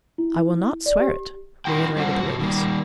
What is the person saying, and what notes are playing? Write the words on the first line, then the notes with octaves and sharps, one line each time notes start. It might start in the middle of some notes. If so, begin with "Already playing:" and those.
"I will not swear it," reiterated the witness.
E4
D5
G4
D4 E4 F#4 G5
G3 C#4 F4 C5 F#5
C3 F#4
D#3 G3 A#3